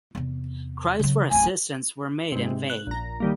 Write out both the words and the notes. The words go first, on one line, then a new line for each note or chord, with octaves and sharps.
Cries for assistance were made in vain.
E2 C3
C#3 F#3
D1 C#4 G#5
G#2 C3
F#6
A#1 A#5
D#3 G3 A#3